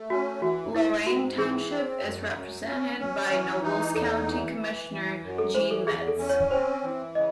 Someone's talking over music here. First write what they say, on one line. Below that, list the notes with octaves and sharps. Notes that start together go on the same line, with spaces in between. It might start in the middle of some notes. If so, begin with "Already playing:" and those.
Lorain Township is represented by Nobles County Commissioner Gene Metz.
Already playing: A3
C#4 F#4
E3 F#4
G#2 E4
G#2 F#4
E3 G#4
C4
F#2
F#2
C#4
C#4
E3
D#4
E2 A4
E3
E3
E3
F#2
A4
E3 C5
A4
E2 G#4
A4
C#4
C#5
C4 C5
E3
C#3 D#5